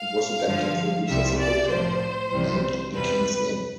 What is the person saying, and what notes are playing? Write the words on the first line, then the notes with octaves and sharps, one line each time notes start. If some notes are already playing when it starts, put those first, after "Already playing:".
It was adapted for use as a hotel named the King's Inn.
Already playing: F5
G2 D3 F3
C2 C3 G3 E5
D5
A2 F3 C5
C2 C3 E3 G3
E2 C3 G3 B4